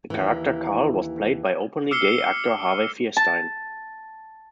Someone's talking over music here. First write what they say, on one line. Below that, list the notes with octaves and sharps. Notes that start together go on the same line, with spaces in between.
The character Karl was played by openly gay actor Harvey Fierstein.
D#2 E3
D6 E6 F6 C7 C#7 G7
A5